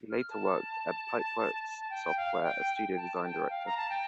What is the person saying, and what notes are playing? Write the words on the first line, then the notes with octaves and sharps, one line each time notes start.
He later worked at Pipeworks Software as Studio Design Director.
F6
A5
G5
F5
G5
G5
A5
G5
F5
A#5
A5
G5